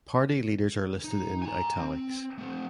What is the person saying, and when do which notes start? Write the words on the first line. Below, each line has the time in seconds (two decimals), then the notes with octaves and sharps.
Party leaders are listed in "italics".
1.04 D#4
1.42 G#5 A#5
1.77 C4
2.38 A3 C4